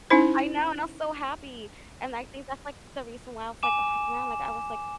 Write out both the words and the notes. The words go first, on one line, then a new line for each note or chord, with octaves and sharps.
I know, and I was so happy, and I think that's, like, the reason why I was like, “Oh man,” like, I was, like
C#4 D#4 E4 C5
G#5 D6 E7